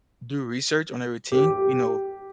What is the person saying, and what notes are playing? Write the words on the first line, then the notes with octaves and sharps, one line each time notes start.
do research on their routine, you know,
G4